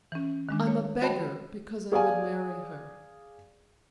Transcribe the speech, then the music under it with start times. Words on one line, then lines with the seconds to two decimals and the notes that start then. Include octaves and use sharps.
I'm a beggar because I would marry her.
0.12 E3 C#4
0.49 D#3 G#3 D4
0.67 C#5
1.02 F#4 C#5 D#5 G5 A5 B5
1.92 G#4 D5 F5 G#5